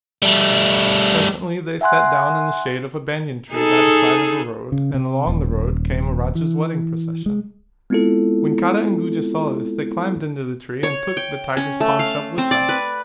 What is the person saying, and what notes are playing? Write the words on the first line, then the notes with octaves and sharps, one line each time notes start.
Presently they sat down in the shade of a banyan tree by the side of a road and along the road came a Raja's wedding procession; when Kara and Guja saw this they climbed into the tree and took the tiger's paunch up with them.
G3 A3
E5 F#5 G#5 C6 F#6
D#4 G#4 A4
C#3
C3
D#1
E3
G#3
G#3 B3 C4 E4 F4 A4
C#5
G5
C#4
A3
F5
C4
D5
B4